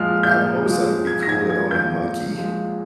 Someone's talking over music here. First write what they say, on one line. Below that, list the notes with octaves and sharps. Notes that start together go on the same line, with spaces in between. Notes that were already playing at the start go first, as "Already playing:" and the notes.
w I've always thought it'd be cool to own a monkey.
Already playing: A#2 F3 G#3 F6
A#2 G6
F3 G#3
A#2 G#6
A#6
G#6
F3 G#3 G#6
G6
A#2
F3 G#3